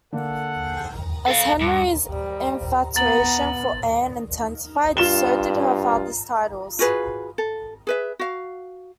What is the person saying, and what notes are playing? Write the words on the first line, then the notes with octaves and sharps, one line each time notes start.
As Henry's infatuation for Anne intensified, so did her father's titles.
D3 A#3 A4 F#5
A4 F5
G2
G3
B3 A#5 A6 F#7
G2 F4 E7 G7
F4 F#4 G#4 B4
A4
G#4 B4 E5
F#4 F5